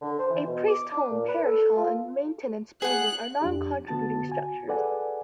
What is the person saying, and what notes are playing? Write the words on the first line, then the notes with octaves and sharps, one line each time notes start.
A priest's home, parish hall and maintenance building are non-contributing structures.
D3
C5
E3
B2
D6
D4
A#2
B4
A4
F4
G#4 F#5 F#6
F2 D4 G4
D3 B3 F#4 A5 A6
F#4 G#5
G#4 A4 B4 D5 F#5 G#5